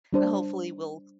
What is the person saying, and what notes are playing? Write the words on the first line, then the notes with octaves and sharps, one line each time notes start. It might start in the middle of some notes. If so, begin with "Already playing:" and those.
and, hopefully, we'll
G3 D4 C5